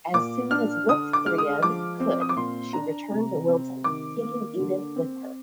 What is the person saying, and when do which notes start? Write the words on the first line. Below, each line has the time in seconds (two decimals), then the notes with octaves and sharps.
As soon as Wulfthryth could, she returned to Wilton, taking Edith with her.
0.14 A#2 D6
0.51 D4 F6
0.89 D3 D#6
1.13 D6
1.26 G#3 F6
1.38 D#6
1.63 F3 D6
2.00 C4
2.21 D#6
2.29 D6
2.37 A#2 C6
2.73 D4 A#5
3.11 C3
3.47 C4
3.84 D#3 D6
4.22 A#3
4.59 D3
4.96 C4